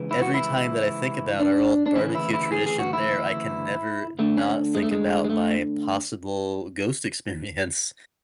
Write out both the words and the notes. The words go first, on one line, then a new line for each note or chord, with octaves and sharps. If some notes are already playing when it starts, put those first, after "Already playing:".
every time that I think about our old barbecue tradition there, I can never not think about my possible ghost experience.
Already playing: C#2 C#3 E3
E4
F#4
E4
D4
D4
D2 C#3 E3 C#4
E4
E4
G#4
G#4
F#4
E4
D2 D3 A3
C#4
G#3
A3
G#3
G#3
A3